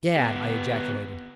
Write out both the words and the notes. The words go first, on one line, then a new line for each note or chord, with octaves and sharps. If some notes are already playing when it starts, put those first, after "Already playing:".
"Gad!" I ejaculated.
B3 G4